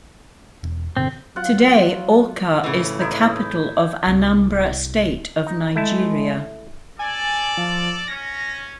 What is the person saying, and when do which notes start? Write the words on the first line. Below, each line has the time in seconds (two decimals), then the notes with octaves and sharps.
Today, Awka is the capital of Anambra state of Nigeria.
0.63 E1
0.97 G1 B2 D3 C4
1.36 F#3 F4 F#5
2.64 A2 C#3 E3
2.99 D#4 E4 D#5
4.07 C2
5.46 D#4
5.76 G#3 A3 E4 A5
6.99 A4 D5 G#5
7.58 F3
8.07 C#4 A#6